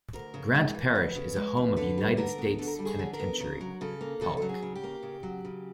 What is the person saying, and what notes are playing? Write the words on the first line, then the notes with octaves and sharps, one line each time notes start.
Grant Parish is a home of United States Penitentiary, Pollock.
D2 A#4
C#3
G#3
E3
D2 B4
C#3
G#3
E3
D3 B4
G3
D3 A#4
B3
D3 A4
A#4
G3 A4
G#4
D3
A#4
B3
C#3 A#4
F#3
C#3 A4
A#3
C#3 A4
F#3 A4
G#4
C#3
G4
A#3
C#3
F#3
C#3